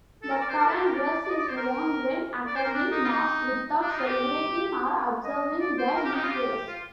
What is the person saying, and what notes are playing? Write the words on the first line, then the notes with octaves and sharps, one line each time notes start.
The current dress is worn when attending Mass without celebrating or observing the Eucharist.
A4
A#4
D5
C5
A#4
A4
G4
A#4
D5
D5
D#5
D5
C5
A#4
D5
C5
A#4
D4
D#4
F4
D#4
D4
D#4
F4
G4
D#5
D5
C5
A#4
G4
D#4
F4
G4
F4